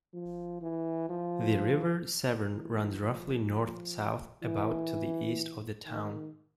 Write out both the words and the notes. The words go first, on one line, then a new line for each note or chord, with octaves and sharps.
The River Severn runs roughly north-south about to the east of the town.
F3
E3
F3
E3
F3
E3
D#3